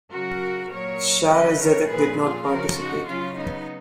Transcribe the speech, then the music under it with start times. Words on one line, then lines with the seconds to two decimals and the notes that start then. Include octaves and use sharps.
Shaare Zedek did not participate.
0.12 C#3 F#3 F#4 A#4
0.71 A#2 F#3 A#4 C#5
1.30 C#3 F#3 B4 D#5
1.60 A#4 C#5
1.90 A#2 F3 G#4 B4
2.19 F4 G#4
2.49 C#3 F3 F#4 A#4
2.78 D#4 F#4
3.08 C#3 F#3 C#4 F4
3.38 B3 D#4